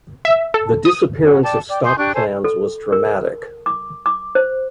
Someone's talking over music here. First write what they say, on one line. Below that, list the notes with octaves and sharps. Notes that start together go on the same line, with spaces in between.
The disappearance of stock plans was dramatic.
E5
A4
D#6
C#4 F#4
D5 G5 A5
D5 G5
G#5 C6 D#6 G6
D4 G4 C#6 F#6
A4 C5 C#5 G#5
A4
A#4
D6
D6
C5